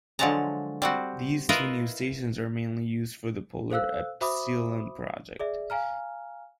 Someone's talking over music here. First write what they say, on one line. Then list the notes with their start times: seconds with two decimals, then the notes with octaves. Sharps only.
These two new stations are mainly used for the Polar Epsilon project.
0.19 D3 F3 F#3 G#3 A5 A#5
0.82 G3 C4 F#4
1.49 E4 F4 A#4 B4 D#5 E5
3.70 A4 C5 F5 E6 F#6
4.21 F#4 C5 E5 B5 D6 D#6
5.39 G#4 D5 E5
5.70 F5 G#5 A#5 F6